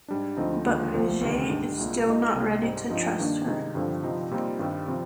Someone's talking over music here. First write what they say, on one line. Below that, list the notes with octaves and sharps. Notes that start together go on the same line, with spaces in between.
But Vijay is still not ready to trust her.
G#2 G3 D4
D2 D3 F3 C4 D#4
D#2 D3 F3 G#3
C2 A#2 F3 C4
D2 C3 D#3 G3
G#2 G3 D4
C2 A#2 G#3
A#2 G#3 D#4
C2 C3 G3 A#3
G#2 G3 C4 D#4
G2 F3 C4 D#4
G2 D#3 A#3 D4
C3 D#3 G#3 D#4
G2 D3 F3 C4
C3 F3 C4 D#4
A#2 G3 C4 D#4
G2 D#3 G3 C4
C3 F3 C4